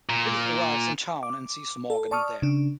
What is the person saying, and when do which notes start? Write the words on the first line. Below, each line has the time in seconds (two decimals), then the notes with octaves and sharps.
Lily arrives in town and sees Morgan there.
0.09 A#2
1.23 D6
1.90 A4
2.11 D5 A5 C#6 D#6 F6
2.42 C#3 D4